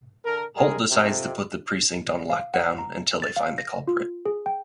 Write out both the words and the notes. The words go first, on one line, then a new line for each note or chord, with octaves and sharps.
Holt decides to put the precinct on lockdown until they find the culprit.
D3 A4 A#4
G#1 G3 G#3 G#4 A#4
F2 C3
F5
F#5
A#5
A6
F5
A#6
F4
G#4
G5